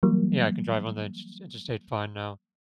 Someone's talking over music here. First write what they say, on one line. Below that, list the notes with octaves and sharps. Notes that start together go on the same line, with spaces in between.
Yeah, I can drive on the insters interstate fine now.
E3 F#3 G3 A#3